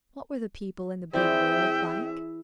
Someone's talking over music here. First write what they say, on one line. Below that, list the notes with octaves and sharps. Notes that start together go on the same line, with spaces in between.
What were the people in the big world like?
E3 C4 E4 G#4 D5 E5 G5 D6